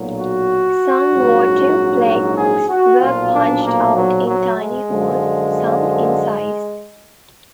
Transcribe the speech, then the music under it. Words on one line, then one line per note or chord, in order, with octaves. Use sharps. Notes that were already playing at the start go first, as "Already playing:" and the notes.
Some votive plaques were punched out in tiny holes, some incised.
Already playing: B1 A#2 F#3
F#4
A#1 G#2 F#3
F#4
G#4
F#4
B1 A#2 F3 F4
D4
A#3
F#3
F#3
G#3
F#2 D3 F3